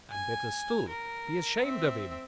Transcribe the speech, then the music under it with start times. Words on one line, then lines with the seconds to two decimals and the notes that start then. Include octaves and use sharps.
And better still: be ashamed of him!
0.12 G#5
0.88 A#4
1.62 C4 E5